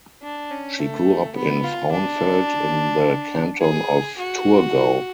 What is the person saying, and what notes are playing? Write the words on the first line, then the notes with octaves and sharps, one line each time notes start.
She grew up in Frauenfeld in the canton of Thurgau.
D4
C#4
A3
B3
F4
D4
G#4
F#4